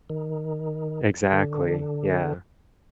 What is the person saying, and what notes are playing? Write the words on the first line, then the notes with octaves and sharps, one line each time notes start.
Exactly, yeah.
D#3
D3